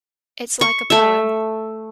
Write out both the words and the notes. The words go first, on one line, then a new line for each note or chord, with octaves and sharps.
It's like a poem.
C#6
A3 E5